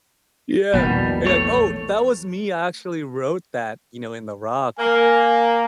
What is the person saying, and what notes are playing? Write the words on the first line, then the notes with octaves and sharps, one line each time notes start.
Yeah, and you're like, "Oh, that was me; I actually wrote that," you know, "in the rock
A#1 E2 B2 D#3 G3
A3 C#5
A#3 G#5